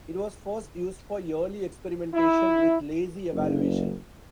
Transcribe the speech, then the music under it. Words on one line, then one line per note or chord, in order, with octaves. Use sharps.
It was first used for early experimentation with lazy evaluation.
E4
F#1